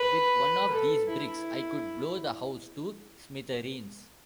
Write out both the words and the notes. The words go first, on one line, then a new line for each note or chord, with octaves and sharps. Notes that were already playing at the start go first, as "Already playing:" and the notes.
With one of these bricks I could blow the house to smithereens.
Already playing: B4
A4
E4